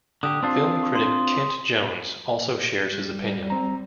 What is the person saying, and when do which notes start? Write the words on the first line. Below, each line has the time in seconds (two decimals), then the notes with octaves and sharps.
Film critic Kent Jones also shares this opinion.
0.23 D3 G4 D#6
0.43 C4 D4 F4
0.95 C6
2.92 G3
3.50 C4 A#5